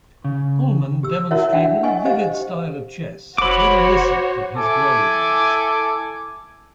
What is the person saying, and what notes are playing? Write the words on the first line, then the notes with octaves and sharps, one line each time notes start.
Uhlmann demonstrated a vivid style of chess reminiscent of his glory days.
C#3
G4 E6
E4 F#4 A#4 C#5 E5 F#5
D4 E5 F#5 G5
D#5 F#5 G#5 C#6
G4 C5 D#5 F5
G4
F1 F#4 C5 C#5 B5 D6
E4 A4 G#5 D6